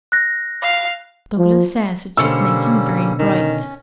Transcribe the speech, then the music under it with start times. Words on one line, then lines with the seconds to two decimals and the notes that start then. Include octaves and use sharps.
Douglas says it should make him very bright.
0.12 F#6 A#6
0.63 F5
1.39 F3
2.17 B2 D3 G3 A#3 C#4 C5 E6 C#7
3.19 D#3 C#4